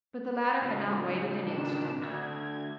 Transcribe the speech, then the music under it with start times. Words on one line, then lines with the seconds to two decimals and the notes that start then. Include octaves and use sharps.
But the latter had not waited an instant.
0.62 A2 C#3
1.41 D#3 D4 E7
2.01 D2 G#6